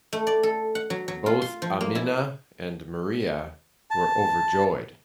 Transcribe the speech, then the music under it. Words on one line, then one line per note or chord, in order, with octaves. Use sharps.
Both Aminah and Maria were overjoyed.
A3
D5
A4
F#5
F#3
F#3
F4
C6
F3
A#3
E4
A5